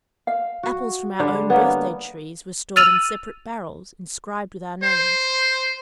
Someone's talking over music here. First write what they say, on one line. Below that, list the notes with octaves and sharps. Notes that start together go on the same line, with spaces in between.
The apples from our own birthday trees were stored in separate barrels inscribed with our names.
F5
F#4
D3 G3 D4
A#3 B3 B4 C#5 F#5
E6 F6 A6 D#7 F7 F#7
C5